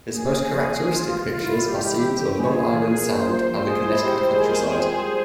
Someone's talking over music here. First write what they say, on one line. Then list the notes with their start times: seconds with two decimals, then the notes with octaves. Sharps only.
His most characteristic pictures are scenes on Long Island Sound and the Connecticut countryside.
0.11 A#3 G#4
0.30 C#4
0.49 F3
0.68 F3
0.87 E3 F4
1.05 G#3
1.23 C#3
1.42 E4
1.61 G#3 G4
1.80 E4
1.98 E3
2.17 E3
2.36 A#3 G#4
2.54 F4
2.73 E3
2.92 A#4
3.10 A#3 C5
3.28 F4
3.48 F3
3.67 G#4
3.84 E4 C5
4.03 G4
4.22 G#3 G#4
4.41 A#4
4.60 C4
4.78 F4
4.97 G3